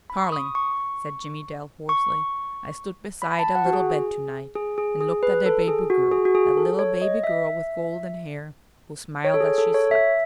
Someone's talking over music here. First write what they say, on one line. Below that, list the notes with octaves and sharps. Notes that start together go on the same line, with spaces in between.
"Carling," said Jimmie Dale hoarsely, "I stood beside a little bed to-night and looked at a baby girl--a little baby girl with golden hair, who smiled as she slept."
B5
C#6
D#6
C#6
C#6
B5
A5
F#5
F#4
G#4
G#4
G#4
G#4
G#4
B4
A4
G#4
F#4
G#4
F#4
G#4
A4
C#5
D#5
E5
C#5
A4
G#4
A4
C#5
E5